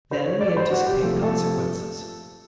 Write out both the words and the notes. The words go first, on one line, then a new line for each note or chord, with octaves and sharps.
Then we anticipate consequences.
C5
C#5
D5
C5
F#4
G4
C3 F3 A3
A4